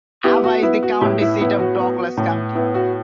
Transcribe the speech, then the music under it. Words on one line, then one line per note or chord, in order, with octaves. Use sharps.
Ava is the county seat of Douglas County.
B3 E4 G4
F#4
B3 E4
F#4
A2 E4 G4
E4
B3 E4
F#4
B3
A2
B3 E4
F#4